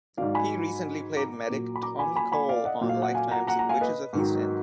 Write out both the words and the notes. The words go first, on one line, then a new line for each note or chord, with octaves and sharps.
He recently played medic Tommy Cole on Lifetime's "Witches of East End".
G#2 D#3 F#3 D5 F5
G#5 B5
A#5 D6
A#2 F#3
B5
A#5 D6
G#5 B5
G#5 B5
G#5 B5
D5 F5
D#5 F#5
A#2 F#3
F5
F#5
F5 G#5
F#5 A#5
F#5 A#5
F#5 A#5
F5 G#5
B4 D#5
G#2 D#3 F#3